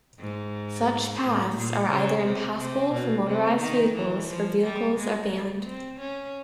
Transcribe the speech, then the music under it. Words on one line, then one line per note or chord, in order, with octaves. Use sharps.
Such paths are either impassable for motorized vehicles, or vehicles are banned.
G#2
A2
A#2
C#3
C3
C3
B2
C3
D#3
E3
F3
G3
G#3
A3
C4
C#4